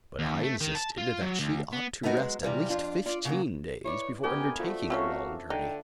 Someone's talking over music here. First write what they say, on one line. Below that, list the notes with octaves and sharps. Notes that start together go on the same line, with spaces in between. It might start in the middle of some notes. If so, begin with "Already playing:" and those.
But I insisted that she ought to rest at least fifteen days before undertaking a long journey.
D#2
A3
D#3
A5
F4
F#3
D2
B3
A3 B3 C4 D#4 F#4 A#4
F#3 G#3
C3 E3 G3 F5
F2 D4 F4
F4 D5
C#3 F#3 A#3
E4 B4 C#5 D5
A3 B3 D4 G4 A#4 G#5
F3 A3 F#4 C5
C4 C#4 F#4 A4 A#4 C#5 E5 F5
D3 D#4 G5